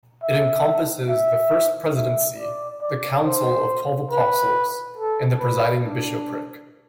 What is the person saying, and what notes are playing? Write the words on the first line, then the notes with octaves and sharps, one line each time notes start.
It encompasses the First Presidency, the Council of Twelve Apostles, and the Presiding Bishopric.
E5
E5
E5
D5
D5
C5
B4
A4
B4
D4